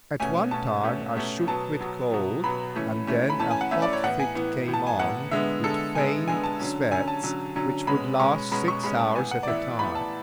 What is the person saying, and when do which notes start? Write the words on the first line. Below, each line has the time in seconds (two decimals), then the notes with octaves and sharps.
At one time I shook with cold, and then a hot fit came on, with faint sweats, which would last six hours at a time.
0.20 B2 A3 C#4 G#5
0.51 B2 A3 C#4 A5
0.84 B2 A3 C#4
1.16 B2 A3 C#4
1.47 B2 F#3 B3 A5
1.80 B2 F#3 B3
2.12 B2 F#3 B3
2.44 B2 F#3 B3 B5
2.76 E3 A3 C#4
3.07 E3 A3 C#4
3.30 B5
3.40 E3 A3 C#4 A5
3.51 G#5
3.61 F#5
3.71 E3 A3 C#4 E5
3.82 D5
3.93 C#5
4.03 A2 E3 B3 F#5
4.20 G#5
4.35 A2 E3 B3
4.68 A2 E3 B3
4.74 A5
4.87 G#5
4.99 A2 E3 B3 F#5
5.31 D3 G#3 B3 E5
5.64 D3 G#3 B3 A4
5.95 D3 G#3 B3 G#5
6.28 D3 G#3 B3 G#5
6.44 A5
6.59 D3 F#3 C#4
6.91 D3 F#3 C#4 G#5
7.08 A5
7.23 D3 F#3 C#4
7.56 D3 F#3 C#4
7.87 B2 G#3 C#4 B5
8.20 B2 G#3 C#4 C#6
8.51 B2 G#3 C#4 B5
8.68 C#6
8.83 B2 G#3 C#4 B5
8.99 A5
9.16 A2 E3 B3 G#5
9.31 F#5
9.43 D5
9.47 A2 E3 B3 E5
9.79 A2 E3 B3 B5
9.95 A5